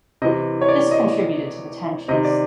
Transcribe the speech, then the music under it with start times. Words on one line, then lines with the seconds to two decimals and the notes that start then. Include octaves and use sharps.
This contributed to the tensions.
0.22 C3 D#5
0.25 E3
0.61 C#5
0.69 D5
0.91 D#5
2.08 C3 D#3 D#5
2.25 D5